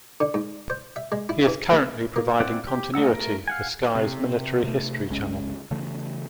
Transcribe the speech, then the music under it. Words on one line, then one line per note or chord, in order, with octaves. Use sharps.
He is currently providing continuity for Sky's Military History Channel.
D3
G#2
C5
E5
G#3
E4
E3
D2
A#3
C4 E4 D5 F#5
G4
A3 D#4 F#5 E6
A3 A#4
F5 F#5 G#5
C3
C3 A3
G1 C#2 G#3 C#4
C#3 E3 A3